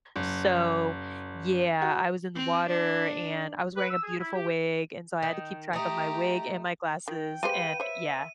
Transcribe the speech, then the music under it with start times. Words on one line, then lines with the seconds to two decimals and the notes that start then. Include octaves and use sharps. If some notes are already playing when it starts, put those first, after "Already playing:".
So, yeah, I was in the water, and I was wearing a beautiful wig, and so I had to keep track of my wig and my glasses and, yeah.
0.16 F#1
1.82 F#4
2.35 C4
2.68 D4
3.76 B4
3.90 E6
4.03 G#4
4.19 E4
4.33 G4
5.22 D#3
5.73 A3 D#4 G4 A#5
7.08 D#3 G5
7.43 G3 G#3 B4 C5 F5 D#7
7.80 C5 C#5 E5